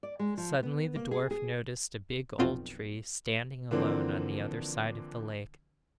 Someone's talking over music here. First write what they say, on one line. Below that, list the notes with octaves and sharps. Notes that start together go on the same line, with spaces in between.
Suddenly the dwarf noticed a big old tree standing alone on the other side of the lake.
D5
G#3
F3
B3
A#3
G#4
G#4
B1 F2 C4 F4 F#4
D3 E3 F3 A#3 C4 D4